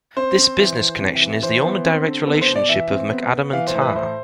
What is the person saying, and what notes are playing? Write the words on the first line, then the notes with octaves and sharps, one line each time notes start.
This business connection is the only direct relationship of McAdam and tar.
C4 C5
C4
E3
E3
C3
E3
E3 C5
B3
C4
D3
B3 A4
C5
B2
D5
E3 E5
C4
B3
B3
E3 F5
C5
A2
B4
A2 C5